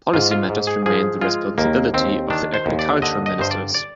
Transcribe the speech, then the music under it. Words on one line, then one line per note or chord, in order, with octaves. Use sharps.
Policy matters remained the responsibility of the Agriculture Ministers.
G#2 F4
F4
G#2
G#4
F3 G#4
G#3 F4
D#2 A#3
D#2 C4
D#3 D4
C5
D#2
D5
D3 D#5
D#5
G2 C5
D5
D5